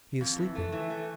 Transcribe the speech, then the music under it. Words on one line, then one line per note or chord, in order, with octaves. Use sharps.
He is sleeping.
F2
E3
A3
E3
A3